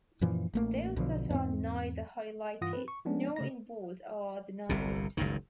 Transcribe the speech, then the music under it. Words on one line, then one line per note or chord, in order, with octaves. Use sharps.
Those that are neither highlighted nor in bold are the nominees.
F#2 A#2 E3 F3
A1 A3 A#3
B1 B2 D3 F3
E2 G#2 C4
G2 E3 F4 F#5 D#6 A#6
C4 B4
C#6
F3 G#3 B3 C#4 D4
C#3 A3 A#6
G1 C2 C3
F#1 C#2 G2 D#3